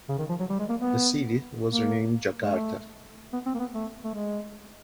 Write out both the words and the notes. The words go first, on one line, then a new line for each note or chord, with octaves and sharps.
The city was renamed Jakarta.
C#3
D#3
F3
F#3
G3
G#3
A#3
B3
A#3
G#3
A3
B3
C4
A#3
B3
A3
A3
G#3